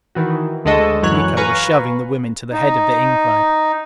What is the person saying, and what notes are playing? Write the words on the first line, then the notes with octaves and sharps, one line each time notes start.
Miko was shoving the women to the head of the incline.
D#3 E3 F#4
D2 D3 G#3 A4 D#5 C#6
F#2 E3 F#3 C#5 F#6
B4 F5 G#5 A#5 C#6
D#4